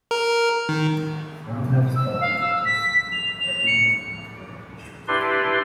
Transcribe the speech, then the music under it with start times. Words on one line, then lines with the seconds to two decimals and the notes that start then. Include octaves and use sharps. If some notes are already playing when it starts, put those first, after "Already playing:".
Photographs of Lupus would appear in a number of issues.
0.11 A#4
0.69 D#3
1.95 E6
2.20 F5
2.40 E6
2.65 B6
3.12 F7
3.39 F7
3.66 C#7
5.08 D4 E4 G4 B4 D5 C6